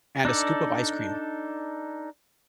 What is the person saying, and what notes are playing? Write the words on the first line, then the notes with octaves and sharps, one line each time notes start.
and a scoop of ice cream.
D4 D#4 A4 D5